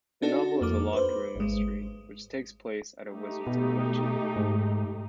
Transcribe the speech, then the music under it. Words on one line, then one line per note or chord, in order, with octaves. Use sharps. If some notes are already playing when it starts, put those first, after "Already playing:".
The novel is a locked room mystery, which takes place at a wizards' convention.
D4 D#4 F#4 A4
F2 A#3 D6
B4 C5
G#1 G#3
A3 D#4 G4
B2
G#2